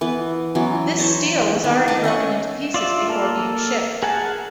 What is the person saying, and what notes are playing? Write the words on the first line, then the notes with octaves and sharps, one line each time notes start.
This stele was already broken into pieces before being shipped.
E3 B3 B4
E3 F#3 B3 C#4
C5 C#5 A5 A#5
D#3 E3 B3
D#5 A5 D6
C#4 D#5 F#5 C#6
F4 D5 E5
A#3 A4 A#4
G#4 A#4 F#5 G#5 A5